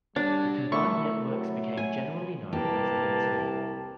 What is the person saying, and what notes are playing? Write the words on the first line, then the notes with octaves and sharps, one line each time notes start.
The combined networks became generally known as the Internet.
G3 D4 C#5 F#5 A5
A3 E4 A4 A#4 C#6
F#3 G5
G#5
C2 A#3 G4 B4 A5